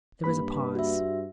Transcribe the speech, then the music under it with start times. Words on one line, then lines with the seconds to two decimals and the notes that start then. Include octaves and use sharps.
There was a pause.
0.24 G2 A#3 B4 B5
0.75 F#4 E5